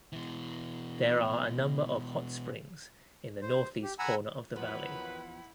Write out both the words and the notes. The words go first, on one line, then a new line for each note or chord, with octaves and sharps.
There are a number of hot springs in the northeast corner of the valley.
B2 E3
C5
G4
F#5 G#5 A#5 B5 E6
E2 D#3 F3 F#3 E4 B4 F#5 B5